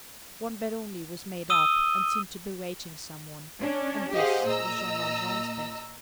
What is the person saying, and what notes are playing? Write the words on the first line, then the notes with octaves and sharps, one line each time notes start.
One bed only was made up, and seemed to be waiting some one, and this was Jean Valjean's bed.
D#6 E6 D#7 G7
C#4 D4
G4 G#4 C5 D#5 F5 F#5
A#2 D#5 A#5 E6